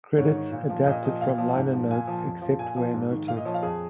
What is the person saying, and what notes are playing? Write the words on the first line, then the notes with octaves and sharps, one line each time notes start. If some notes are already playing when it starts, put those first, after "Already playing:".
Credits adapted from liner notes, except where noted.
G#2 C#5
D#3
A#2
F3
A#2 D#5
F3 D#5
A#2 F5
F3
G#2
F3
A#2 G#5
F3
F2
F3
A#2 G#5
F3
G#2
D#3
A#2 F5
D#5
F3 C#5
F5
F2 G#4